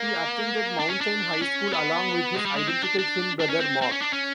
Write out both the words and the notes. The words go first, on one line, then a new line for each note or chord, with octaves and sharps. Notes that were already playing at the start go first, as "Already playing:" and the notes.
He attended Mountain High School along with his identical twin brother Mark.
Already playing: A#3
D4
C#4
D4
C#4
B3
G#3
G3
G#3
C4
D4
D4
D4
C#4
C4
C4
C#4
D4
C#4